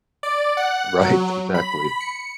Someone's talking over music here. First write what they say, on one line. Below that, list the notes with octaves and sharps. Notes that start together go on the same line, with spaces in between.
Right, exactly.
D5
F#5
F#3
B5
C#7